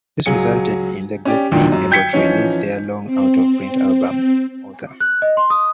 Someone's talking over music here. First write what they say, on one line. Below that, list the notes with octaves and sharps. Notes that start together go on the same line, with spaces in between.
This resulted in the group being able to release their long out-of-print album Author!
C#2 F#3 G#4 C#7
C#4 G4 D5
B1 E2 A#2 D3 D#3 G5
F#2
G5 G6 G#6 B6 C#7
E3 F3 C#4 D#4 C#5
C4
F#6
D#5
C6
D#6